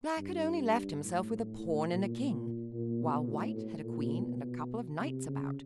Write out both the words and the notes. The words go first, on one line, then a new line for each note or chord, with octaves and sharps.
Black had only left himself with a Pawn and a King, while White had a Queen and a couple of Knights about.
G2
A2
A2
A#2
A#2
A#2
B2
A2
A2
A#2
B2
C3
C#3